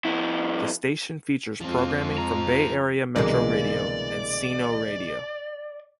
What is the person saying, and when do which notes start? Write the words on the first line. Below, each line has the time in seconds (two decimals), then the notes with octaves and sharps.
The station features programming from Bay Area Metro Radio and Sino Radio.
0.05 F2 E4
1.61 F2 F3 G#3 C4 F4
2.18 A#5
3.16 C2 B2 D3 E3 G#3 A#3 D5